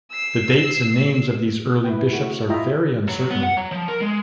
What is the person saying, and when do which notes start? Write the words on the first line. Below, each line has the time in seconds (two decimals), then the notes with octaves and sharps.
The dates and names of these early bishops are very uncertain.
0.12 E6 C7
1.84 E4 B4 G5
2.13 A3 F#4
2.49 E4 F4 D#5 E5 G5 A#5
3.09 F#3
3.31 B3
3.44 F#5
3.57 F#3
3.72 F3
3.88 A#4
4.02 G#3